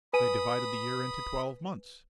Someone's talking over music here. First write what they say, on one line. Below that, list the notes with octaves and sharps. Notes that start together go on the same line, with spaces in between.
They divided the year into twelve months.
B4 G#5 B5 D#6 D#7